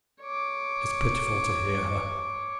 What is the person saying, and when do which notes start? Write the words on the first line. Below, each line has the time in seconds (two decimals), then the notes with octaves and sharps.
It is pitiful to hear her.
0.22 C#5 D6